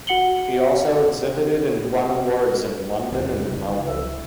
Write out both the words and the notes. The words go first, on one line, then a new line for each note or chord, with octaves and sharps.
He also exhibited and won awards in London and Melbourne.
F#4 F#5 C#7 F#7 G7
E2 C3 E3 F3 B3 C4 D4
G1 C#2 C#3
C#2 C3 E5